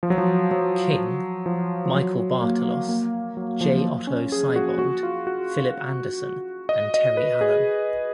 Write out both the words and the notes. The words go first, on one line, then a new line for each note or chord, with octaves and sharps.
King, Michael Bartalos, J. Otto Seibold, Phillip Anderson, and Terry Allen.
F3
F#3
F3
F#3
F3
F3
F#3
A#3
A#3
F#3
F3
C#4
G#4
F#4
F#4
F4
F#4
D#5
D#5
B4
G#4